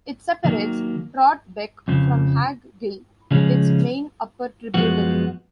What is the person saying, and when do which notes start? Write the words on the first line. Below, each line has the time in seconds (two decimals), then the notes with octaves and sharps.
It separates Trout Beck from Hagg Gill, its main upper tributary.
0.45 D#3 F#3 A#3
1.88 F2 C#3 F3
3.31 C#3 F3 G#3 C#4
4.74 F#2 F3 G#3 B3 F#4